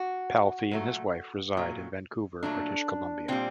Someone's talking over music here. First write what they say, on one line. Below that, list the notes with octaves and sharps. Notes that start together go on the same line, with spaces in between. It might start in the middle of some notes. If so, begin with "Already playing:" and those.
Palffy and his wife reside in Vancouver, British Columbia.
Already playing: F#4
A#2 F#3 A3
A#2 F#3 A3
A#2 F#3 A3 D4
A#2 G3 C4